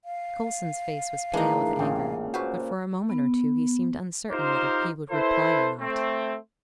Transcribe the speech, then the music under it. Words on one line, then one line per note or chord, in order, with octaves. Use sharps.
Coulson's face was pale with anger, but for a moment or two he seemed uncertain whether he would reply or not.
F5
A2 D#3 E3 G#3 A#3 D4 D#4 A#5
A1 A#2 C#3 G5
A#2 F#4 B4 C5
B3
D#4 F4 G4 A#4 C5
E4 A4 B4 C5
A3 C4